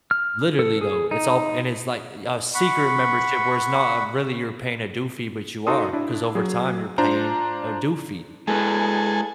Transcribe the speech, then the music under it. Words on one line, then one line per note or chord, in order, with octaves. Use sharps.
literally though, it's all p and it's like, eh, a secret membership where it's not really you're paying a due fee, but you are 'cause over time you're paying a due fee.
F6
A4
G#4
D#4
F#5 B5 C#6
D#4 F#4 A4 C6 D#6
D4 E4
F#3 G#4
D4 F4 C5 A#5 G6
G#3 E4 G#4 A4 B4